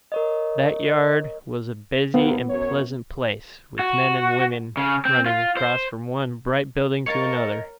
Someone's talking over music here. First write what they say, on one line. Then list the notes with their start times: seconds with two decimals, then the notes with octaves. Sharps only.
That yard was a busy and pleasant place, with men and women running across from one bright building to another.
0.12 A#4 C#5 D#5
2.14 D#2 B3 A#4
2.49 F#2 C#5
3.79 F#4
4.77 C#3
5.05 C4
5.26 F4
5.57 C5
7.06 A#4 C#5 D#5 F5 A#5 A6 C#7